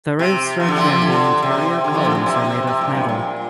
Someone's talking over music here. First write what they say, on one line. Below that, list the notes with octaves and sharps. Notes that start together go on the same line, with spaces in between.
The roof structure and the interior columns are made of metal.
C3
F3
D3
C3 F3
D3
C3
D3
C3 F3
D3
A#2
C3
C3
A#2
G2
A#2